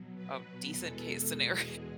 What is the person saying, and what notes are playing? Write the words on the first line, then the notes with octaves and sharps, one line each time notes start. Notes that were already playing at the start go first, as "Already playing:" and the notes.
a decent case scenario
Already playing: B2 F#3
B4
E2 B2 G#3 A4
G#4